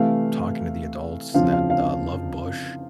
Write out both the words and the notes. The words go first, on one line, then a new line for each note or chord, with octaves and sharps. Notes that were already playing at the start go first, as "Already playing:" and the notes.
talking to the adults that, uh, loved Bush,
Already playing: C3 E3 A3 F5
F2 C#3 F3 F5
F5
F5